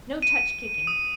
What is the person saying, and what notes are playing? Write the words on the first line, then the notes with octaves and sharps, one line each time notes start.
No touch kicking.
D#7
D#6